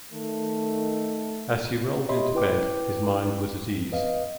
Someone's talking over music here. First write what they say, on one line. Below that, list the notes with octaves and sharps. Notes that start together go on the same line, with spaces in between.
As he rolled into bed his mind was at ease.
D#3 A3
G4 C#5 D#5 E5 B5 C6
E4 B4 G5 D6
B4 D#5 F5